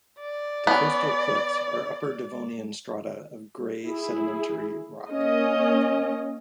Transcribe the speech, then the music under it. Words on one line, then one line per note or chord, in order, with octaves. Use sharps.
The coastal cliffs are Upper Devonian strata of grey sedimentary rock.
D5
B3 C#4
E4 G#4
A#3 C#4 D#5